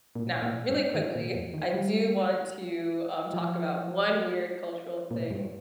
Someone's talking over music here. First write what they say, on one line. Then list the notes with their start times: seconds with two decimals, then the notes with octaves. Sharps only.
Now, really quickly, I do want to, um, talk about one weird cultural thing
0.16 A#2
0.42 A#2
0.69 G2
0.95 D#3
1.15 A#2
1.35 F2
1.54 D#3
1.74 G3
3.34 F3
5.11 A#2
5.31 G2